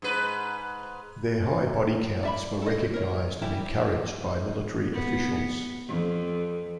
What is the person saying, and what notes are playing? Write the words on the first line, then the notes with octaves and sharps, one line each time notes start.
Their high bodycounts were recognized and encouraged by military officials.
G#2 B4
D5 E5 B5
A4 D#5
A#4 C#5
E3 G3 E4 G4
B3
F2